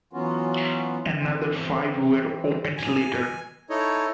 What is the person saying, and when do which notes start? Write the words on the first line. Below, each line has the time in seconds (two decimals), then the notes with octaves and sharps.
Another five were opened later.
0.13 E3 F#3 B3 C#4 F4 F#4
1.14 E3 C4
2.77 G#5
3.70 D#4 E4 A4 C#5 D#5